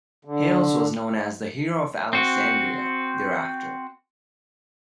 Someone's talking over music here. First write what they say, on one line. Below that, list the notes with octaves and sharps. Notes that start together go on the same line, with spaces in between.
Hales was known as the "Hero of Alexandria" thereafter.
D3
C4 F#4